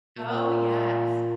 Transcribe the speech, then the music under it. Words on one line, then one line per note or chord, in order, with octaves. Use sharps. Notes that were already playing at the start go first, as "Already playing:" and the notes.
Oh, yes.
A#2